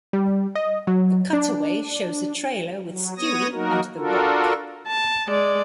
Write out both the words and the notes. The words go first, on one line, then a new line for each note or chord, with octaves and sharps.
The cutaway shows a trailer with Stewie and the Rock.
G3
D#5
F#3
D4
F#3
B3 C#5 D#6 A#6
F#3 A#3 D#4 F#4 A#4
D4 F4 F#4 A4 A#4
A5
G#3 D5